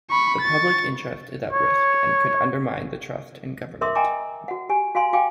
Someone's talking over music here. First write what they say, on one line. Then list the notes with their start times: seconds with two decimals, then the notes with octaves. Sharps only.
The public interest is at risk and could undermine the trust in government.
0.10 B5 C#6
0.41 C#6 A6
1.53 C#5
3.81 A#4 E5 C6 D6 D#6
3.95 D#5 G5 G#5 A#5 D6
4.48 F#4 F#5
4.69 G4 G#5
4.95 F#4 F5 G#5 C6
5.13 F#4 F5 G5 G#5 D6